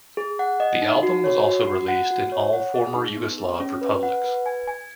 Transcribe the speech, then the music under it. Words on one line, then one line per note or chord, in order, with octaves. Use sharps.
The album was also released in all Former Yugoslav republics.
G#4
F#5
D#5
D#4
F#4
C#5
F#4
F#4
F#5
F#4
C#5
F#5
G#4
D#4
B3
G#4
C#4
B4
F#5
B4
G#5
G#5